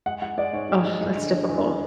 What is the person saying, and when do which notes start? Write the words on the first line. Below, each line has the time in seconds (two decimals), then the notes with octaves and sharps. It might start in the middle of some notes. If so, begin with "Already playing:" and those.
Ugh, that's difficult.
0.06 G#3 F#5
0.22 G#3 F#5
0.38 G#3 D5
0.53 G#2 C#5
0.69 G#3
0.85 G#3
1.01 G#3
1.17 D3
1.33 D3
1.49 E2
1.64 G#3